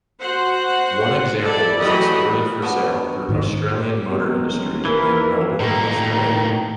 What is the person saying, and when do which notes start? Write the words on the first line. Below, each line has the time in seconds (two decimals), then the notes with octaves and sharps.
One example was exported for sale through Australian Motor Industries in Melbourne, Australia.
0.20 F#4 C5 F#5
1.42 E4 A4 D5
1.79 E3 F#3 A3 G4 D#5 B5
2.62 B3 D4 F#4
3.29 G#2 D#3
3.68 C4 G4
4.11 B2 D#3 F#3 G#3 C4
4.49 D#1 C#4
4.85 D#2 E3 A#4 E5 F5 B5
5.60 A2 D#3 A#3 A#5